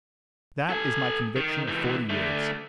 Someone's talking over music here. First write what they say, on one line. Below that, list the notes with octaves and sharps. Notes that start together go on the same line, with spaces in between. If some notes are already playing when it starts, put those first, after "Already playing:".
That is my conviction of forty years.
A4 G#5
D#3
C#2 E3
D3 A3